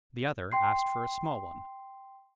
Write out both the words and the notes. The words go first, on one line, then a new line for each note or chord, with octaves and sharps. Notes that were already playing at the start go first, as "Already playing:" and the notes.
The other asked for a small one.
G5 C6 C7